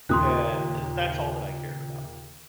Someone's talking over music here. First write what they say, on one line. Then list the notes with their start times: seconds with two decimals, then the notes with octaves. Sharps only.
And that's all that I cared about.
0.09 D#2 A#2 C#3 C6 D#6 F#6